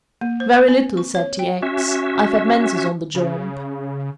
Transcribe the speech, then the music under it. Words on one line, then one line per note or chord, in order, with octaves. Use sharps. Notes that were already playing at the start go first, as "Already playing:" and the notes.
"Very little," said T. X. "I've had Mansus on the job."
A#3
C5
B4
C4
C#6
C#5
G5
C#4 F#4 E5
C#3